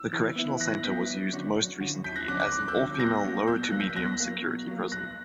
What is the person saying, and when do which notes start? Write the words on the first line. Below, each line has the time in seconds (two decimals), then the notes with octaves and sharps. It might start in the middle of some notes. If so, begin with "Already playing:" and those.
The correctional centre was used most recently as an all-female low-to-medium security prison.
Already playing: E6
0.13 E3
0.36 B3 E4
0.60 E3 F#6 A#6
0.84 B3 E4 G6 B6
1.08 F#2
1.33 D3 F#3 C#4 F#4
1.56 F#2
1.80 D3 F#3 C#4 F#4
2.04 F#2 G6 B6
2.16 F#6 A#6
2.28 D3 F#3 C#4 F#4 D6 F#6
2.40 D6 F#6
2.52 F#2 D6 F#6
2.68 E6 G6
2.76 D3 F#3 C#4 F#4
2.94 G6
3.00 B2 F#6 A#6
3.25 F#3 A#3
3.47 B2 E6 G6
3.63 F#6 A#6
3.71 F#3 A#3
3.80 G6 B6
3.96 B2 F#6 A#6
4.20 F#3 A#3
4.44 B2
4.67 F#3 A#3
4.92 B1 F#6 A#6